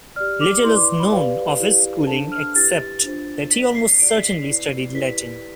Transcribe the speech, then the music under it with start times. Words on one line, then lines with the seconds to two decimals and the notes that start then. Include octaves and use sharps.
Little is known of his schooling except that he almost certainly studied Latin.
0.16 G4 D5 F6
0.41 D6
0.64 E4 B4 D5 C6
0.76 D6
1.00 B5
1.12 G4 B4 D5 F5
1.59 E4 G4 B4 D5
2.07 D4 A4 C5 A5
2.32 F6
2.55 E4 G4 B4 A6
3.03 D4 F4 C5
3.51 E4 A4 D5 B6
3.75 C7
3.99 E4 G4 D5 D7
4.09 C7
4.18 B6
4.27 C7
4.46 E4 B4 D5
4.94 E4 G4 B4 D5 B6